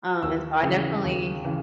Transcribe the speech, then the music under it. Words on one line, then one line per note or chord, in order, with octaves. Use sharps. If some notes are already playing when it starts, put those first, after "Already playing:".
um, and so I definitely
D#2 E6
C#3 E3
D#2
C#3 E3